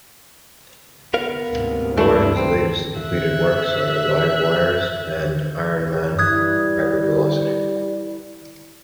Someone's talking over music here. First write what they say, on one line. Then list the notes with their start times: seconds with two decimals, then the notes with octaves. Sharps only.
Warren's latest completed works are "Livewires" and "Iron Man: Hypervelocity".
1.14 B3 A#4 F5
1.50 D2 G#2 C3
1.97 E3 A3 D4 E4
2.37 C4
2.98 E5 F#6
6.19 E3 G3 E4 D#6 F#6 G#6